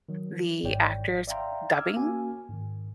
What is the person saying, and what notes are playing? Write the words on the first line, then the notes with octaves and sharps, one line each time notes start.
the actors dubbing,
D#3 F#3
G#1 G#2 E3 C#5 D5 G5
D5 E5 F5 G5 A#5 C6
D6 E6 F6 G#6
A#3 C#4 F#4 G#5
G#2 D#3